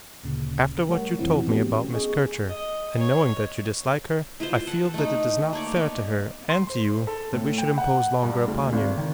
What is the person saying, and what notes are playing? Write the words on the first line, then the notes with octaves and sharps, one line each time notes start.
After what you told me about Miss Kircher, and knowing that you dislike her, I feel that it is not fair to her and to you that we should impose longer upon you.
D2 A#2 C#3
G3 A3 A#4 C#5 F#5
F2 B2 E3 F3 C4 E4
A3 B3 C#4 D4 F#4 G4
G#4 D#5 C#6
D#5
C#5
E4 F4 B4 C5
A4 F#5 A5
A3 D#4
A3 A#3 C#5 D5
B3
C6
C5
A4
A2
G5
F#5
G2
D2
G#1
D#3